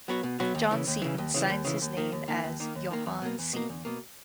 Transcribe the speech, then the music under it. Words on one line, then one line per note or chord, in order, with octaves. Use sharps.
John Seton signs his name as "Johan Seton".
F#3 B3 F#4
B2
F#3 B3 F#4
D#2
C#3 E3
D#2
C#3 E3
D#2
C#3 E3
D#2
C#3 E3
D#2
D#3 A#3
D#2
D#3 A#3
D#2
D#3 A#3
D#2
D#3 A#3
E2
B2 A#3
E2
B2 A#3
E2
B2 A#3